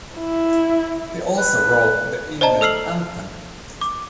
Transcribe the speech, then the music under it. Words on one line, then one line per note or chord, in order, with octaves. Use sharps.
He also wrote the Indian anthem.
E4
B4
C5 D5 D#5 A5 A#5
A4 E6 F6 C7 F#7
D6